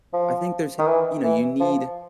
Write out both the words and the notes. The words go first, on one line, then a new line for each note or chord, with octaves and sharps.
I think there's h you know, you need
F3
D#3
E3
E3
F3